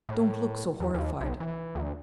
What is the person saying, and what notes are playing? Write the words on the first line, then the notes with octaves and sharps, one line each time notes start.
Don't look so horrified.
A2
E2
D#2
B1
E3
D2